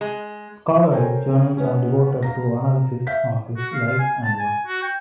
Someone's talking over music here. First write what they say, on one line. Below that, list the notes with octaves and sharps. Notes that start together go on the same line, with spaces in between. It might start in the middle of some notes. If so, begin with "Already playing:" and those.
Scholarly journals are devoted to analysis of his life and work.
G#3
A4 A#4 C5 C#5 G5 G#5
B3 C#4
F5 A#5 A#6
E5 F5 G6 B6
F#4
F5
F5
G#5
A5
G#5
F#4
G5